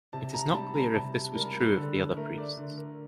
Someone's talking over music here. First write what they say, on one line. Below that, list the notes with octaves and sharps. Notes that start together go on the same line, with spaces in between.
It is not clear if this was true of the other priests.
C3 A5
A#5
G3 A5
A#5
C3 A5
G3 A#4
D3 A4
A3 A#4
D5
D3
A#4